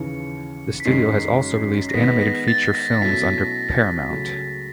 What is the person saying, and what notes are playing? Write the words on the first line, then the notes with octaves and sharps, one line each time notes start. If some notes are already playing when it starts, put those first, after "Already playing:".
The studio has also released animated feature films under Paramount.
Already playing: D#2 C#3 E3 C#7
B6
F#2 D#3 G#3 C7
A#6
D#3 G#3 B3 B6
A#6
A6
A#6
B2 F#3 A3 C#4 E4 B6
C#2 C#3 F#3 A3